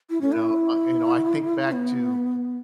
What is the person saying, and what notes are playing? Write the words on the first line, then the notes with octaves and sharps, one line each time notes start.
You know, uh, you know, I think back to
E4
C#4
E4
B3